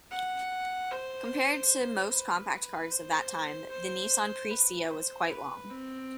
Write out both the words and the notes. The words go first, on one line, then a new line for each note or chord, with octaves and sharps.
Compared to most compact cars of that time, the Nissan Presea was quite long.
F#5
C5
B4
C5
C5
B4
C5
B4
C4